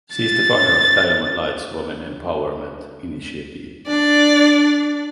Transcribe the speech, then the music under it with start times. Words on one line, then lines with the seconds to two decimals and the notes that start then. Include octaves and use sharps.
She is the founder of Diamond Lights Women Empowerment Initiative.
0.15 A6
3.88 D4 D5